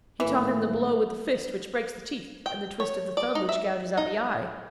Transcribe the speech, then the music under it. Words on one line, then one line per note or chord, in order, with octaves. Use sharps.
He taught him the blow with the fist which breaks the teeth, and the twist of the thumb which gouges out the eye.
G#1 A2 E3 A#3
G5
C#5
D5
D#4
E5
D#4